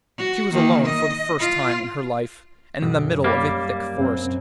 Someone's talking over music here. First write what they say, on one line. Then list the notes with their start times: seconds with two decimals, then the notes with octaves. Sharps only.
She was alone for the first time in her life, and in the middle of a thick forest.
0.18 F#4
0.53 D#3 A#3
0.86 D#5
1.39 F4
2.82 B1 F#2
3.24 G3 A#3
3.95 F#2 C4